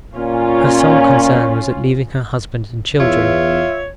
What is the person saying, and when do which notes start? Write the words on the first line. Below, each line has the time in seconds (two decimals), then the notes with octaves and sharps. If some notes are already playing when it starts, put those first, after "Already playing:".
Her sole concern was at leaving her husband and children.
0.15 A#2 C#4 F4
3.00 E2 F4 C#5 E5